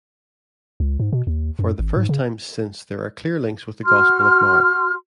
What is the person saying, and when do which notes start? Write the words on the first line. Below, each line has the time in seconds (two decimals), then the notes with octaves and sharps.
For the first time since there are clear links with the Gospel of Mark.
0.80 C#2
1.00 G#2
1.13 B2
1.27 D#2
1.59 F#2
1.79 G#1
1.96 G#2
2.09 C#3
3.85 F#4 C6 F6